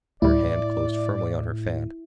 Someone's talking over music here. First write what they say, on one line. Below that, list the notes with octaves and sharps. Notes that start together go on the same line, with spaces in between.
Her hand closed firmly on her fan.
D2 A2 G3 E4 D5